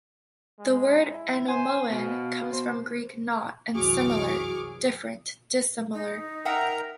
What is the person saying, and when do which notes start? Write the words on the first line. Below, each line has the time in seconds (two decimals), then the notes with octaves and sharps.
The word "anomoean" comes from Greek 'not' and 'similar': "different; dissimilar".
0.59 G#3
1.11 E4
1.48 C5 G#5
1.90 B3 F#4 F5
2.52 C5
3.75 C2 F#2 E3 F#4 G#4 C#6 D6 F6
5.94 D#4
6.45 A#4 E5 F#5 G5 A#5